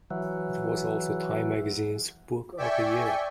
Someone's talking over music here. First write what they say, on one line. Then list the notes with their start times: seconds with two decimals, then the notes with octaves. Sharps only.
It was also Time Magazine's Book of the Year.
0.11 E3 F#3
2.57 D5 E5 G5 G#5 C#6